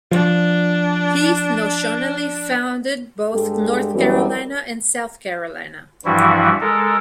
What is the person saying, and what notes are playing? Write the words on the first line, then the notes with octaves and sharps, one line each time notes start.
Heath notionally founded both North Carolina and South Carolina.
F3 D4
G2 G#3 G4 A4
F#2 E3 G3 B3 F#4 A#4
G2 E3 F3 G3 E4 F#4
G#3 A4 A#4